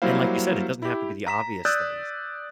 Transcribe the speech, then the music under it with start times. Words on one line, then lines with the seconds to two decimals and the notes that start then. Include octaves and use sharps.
and like you said, it doesn't have to be the obvious things,
0.02 F#3 G3 A#3 E4 C5 F5
0.82 E4 G4
1.27 A#5 B6 E7
1.65 D5 D#6 E6 F#6 G6 A6